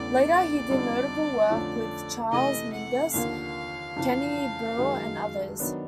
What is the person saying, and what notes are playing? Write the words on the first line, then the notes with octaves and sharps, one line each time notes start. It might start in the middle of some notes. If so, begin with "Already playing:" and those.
Later he did notable work with Charles Mingus, Kenny Burrell, and others.
Already playing: E2 C#3 E3 A3 D5
F2 D3 G3 C4 D#4
F2 D3 F3 A3 C#4
C3 E3 A3 D#5
F#5
D#2 D3 F3 A#3 F5
F2 C#3 E3
F#2 D#3 G#3
D#3 F#3 B3 D4